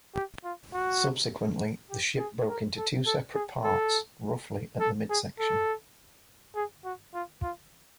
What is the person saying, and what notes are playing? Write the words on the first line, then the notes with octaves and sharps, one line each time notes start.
Subsequently, the ship broke into two separate parts, roughly at the midsection.
G4
F4
F#4
G4
G#4
A#4
A4
A4
G#4
A4
A4
G#4
A4
G#4
F#4
F4
F4